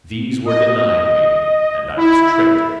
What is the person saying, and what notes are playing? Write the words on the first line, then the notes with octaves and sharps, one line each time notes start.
These were denied me, and I was tricked.
D#5
E4